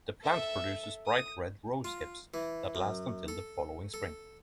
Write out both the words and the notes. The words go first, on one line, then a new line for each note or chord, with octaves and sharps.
The plant produces bright red rose hips that last until the following spring.
A4 E5
D#6
F4
E3
F#2
A4
A4